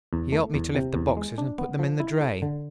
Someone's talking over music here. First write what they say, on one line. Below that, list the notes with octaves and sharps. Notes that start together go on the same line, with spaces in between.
He 'elped me to lift the boxes and put them in the dray.
E2
A3
E2
C3
E2
G#3
D4
B3
F3
E4
A4
D3